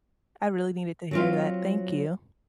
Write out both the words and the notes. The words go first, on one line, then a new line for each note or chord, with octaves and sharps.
I really needed to hear that. Thank you.
F#3 C4 F4